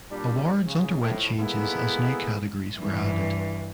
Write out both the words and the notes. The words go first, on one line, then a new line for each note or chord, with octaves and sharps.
Awards underwent changes as new Categories were added.
A#2 G3 D4
C#3
F2 A2
G#3 A#3 B3 E4 G#4 A4
G2 E3